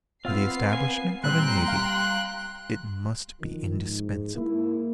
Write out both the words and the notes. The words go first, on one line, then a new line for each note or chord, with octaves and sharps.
To the establishment of a navy, it must be indispensable.
B3 C4 F4 F5 C7
G#5
A#2 G3 C4 G5 A#5 C6 F#6
F5
D#3 F3
G#2
A#3 E4